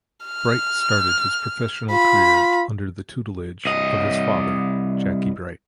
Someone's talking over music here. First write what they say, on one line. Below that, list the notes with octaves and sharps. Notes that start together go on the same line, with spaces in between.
Bright started his professional career under the tutelage of his father, Jackie Bright.
F6
F4 B5
C2 D#5